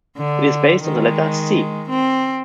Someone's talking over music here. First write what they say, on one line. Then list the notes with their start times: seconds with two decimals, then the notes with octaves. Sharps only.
It is based on the letter "c".
0.17 D3
0.84 D#3 G#3
1.89 C4